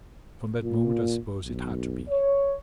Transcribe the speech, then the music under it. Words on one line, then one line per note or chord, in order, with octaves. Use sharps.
From that moment, I suppose, it had to be.
A#2
B1
C#5